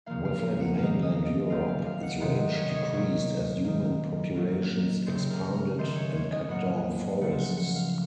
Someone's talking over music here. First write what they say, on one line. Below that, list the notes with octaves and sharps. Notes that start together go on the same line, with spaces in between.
Within mainland Europe, its range decreased as human populations expanded and cut down forests.
C#3 F3 A#3 F5
F5
A#5
F#5
D#3 A#3 F5
D#5
D#5
A#2 F#3 A3 C4 F5
F5
F5
F#5
C3 D#3 A3 C4 F#5
D#5
C#5
D#5
C#5
A#2 F#3 A#3 C#5
D#3 A#3
A#2 F#3 A#3
C#3 A3 C4 C5
A#4
A#4
D#3 A3 C4 C5
C#5
C#5
D#5
A2 F#3 A#3 F#5
C#3 F3 A3 F#5
F#5
F#5
F5